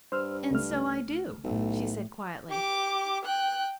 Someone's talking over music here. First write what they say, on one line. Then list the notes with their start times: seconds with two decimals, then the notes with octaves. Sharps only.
"And so I do," she said, quietly.
0.12 G2 C5 E6 F6
0.51 C#2 A3 F6
1.44 B1 A2
2.49 G4 D6
3.25 G5 F#6